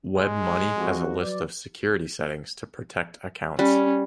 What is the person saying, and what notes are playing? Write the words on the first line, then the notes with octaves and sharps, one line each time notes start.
WebMoney has a list of security settings to protect accounts.
G#3
F2 F#4
F#3 B4 D5
G3 C#4